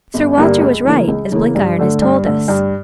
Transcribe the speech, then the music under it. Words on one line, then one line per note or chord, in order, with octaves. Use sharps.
'Sir Walter was right, as Blenkiron has told us.
G1
G2 D3 G3 A#3
C#2
C#3 E3 A#3
C#2
C#3 E3 A#3
G2
D3 A3
G2
D3 A3
G2